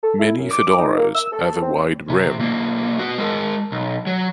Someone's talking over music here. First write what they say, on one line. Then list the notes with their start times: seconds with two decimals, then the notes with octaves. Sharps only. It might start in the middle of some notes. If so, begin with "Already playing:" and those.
Many fedoras have a wide brim.
0.04 A4
0.20 E4
0.38 F#2
0.51 D6
0.79 D#4
0.98 A#3
1.15 E6
1.32 A4
1.63 C4
2.10 C3
2.40 B1 A#3
2.99 F#4 B4
3.18 G#3 A#4
3.72 B1
4.07 F#3